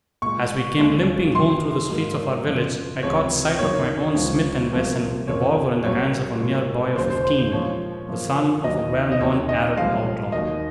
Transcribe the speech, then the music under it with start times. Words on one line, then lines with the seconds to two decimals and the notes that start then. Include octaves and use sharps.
As we came limping home through the streets of our village, I caught sight of my own Smith & Wesson revolver in the hands of a mere boy of fifteen--the son of a well-known Arab outlaw.
0.22 A#2 G#3 C#6
0.79 D#2 C#3 G#3
1.35 F#2 D#3 F#3 C6
1.90 G#2 F#3 A#3
2.47 F#2 C#3 F3
3.03 C#2 C3 F3 G#3 C#5
3.59 F#2 D#3 F#3 A#3 C#5
4.15 C#2 C#3 F3
4.72 C2 C3 F3 A#3
5.28 F2 C#3 F3 A#3 C#5
5.83 C2 A#2 F#3 A#3 C#5
6.40 G#2 F#3 A#3
6.96 D#2 C#3 F#3 C5
7.10 C5
7.24 C5
7.39 C5
7.52 A#2 F3 G#3 C#5
8.09 F#2 F3 A#3
8.64 D#2 D#3 F#3 A#3 D#5
9.12 D#5
9.20 D#2 D#3 F#3 C#5
9.49 D#5
9.77 C2 A#2 F3 G#3 F5
10.32 D#2 D#3 F#3 A#3 D#5